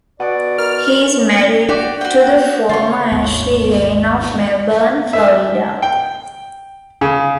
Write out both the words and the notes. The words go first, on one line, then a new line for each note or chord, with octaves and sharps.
He is married to the former Ashley Jenne of Melbourne, Florida.
B2 D5 F#5
A#4 F6
D4 F#4 G4 D5
F#4 G5
C#3 F4 C#5
G#1 D#2
E5
G5
C#3